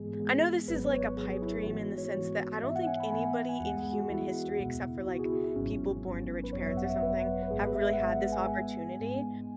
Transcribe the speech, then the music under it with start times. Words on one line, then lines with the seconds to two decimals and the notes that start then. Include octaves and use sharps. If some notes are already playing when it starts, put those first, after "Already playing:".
I know this is like a pipe dream in the sense that I don't think anybody in human history except for, like, people born to rich parents or something have really had this opportunity,
Already playing: G#2 E3 G#3 B3 G#4
0.19 G#2 E3 G#3 B3
0.68 G#1 G#2 F#3 B3 B4
0.85 C#5
1.01 C#5
1.16 G#1 G#2 F#3 B3 G#4
1.42 E4
1.66 G#2 E3 G#3 B3 F#4
1.98 C#5
2.15 G#2 E3 G#3 B3
2.63 G#2 E3 B3 E5
2.75 F#5
2.87 G#5
3.00 B5
3.11 G#2 E3 B3 G#5
3.49 G#5
3.60 E2 E3 G#3 B3 F#5
3.77 G#4
3.93 F#4
4.09 E2 E3 G#3 B3 E4
4.58 C#2 B2 B3
5.06 C#2 B2 B3 F#4
5.19 G#4
5.25 E4
5.32 F#4
5.44 E4
5.56 G#1 G#2 F#3 B3 C#4
6.04 G#1 G#2 F#3 B3
6.44 B4
6.53 G#1 F#2 F#3 B3 C#5
6.66 E5
6.77 F#5
6.90 E5
7.02 G#1 F#2 F#3 B3 B4
7.43 B4
7.50 G#1 G#2 G#3 B3 G#4
7.62 B4
7.75 E5
7.88 E5
7.93 F#5
8.00 G#1 G#2 G#3 B3 E5
8.15 F#5
8.32 G#5
8.48 G#2 G#3 B3
8.97 G#2 G#3 B3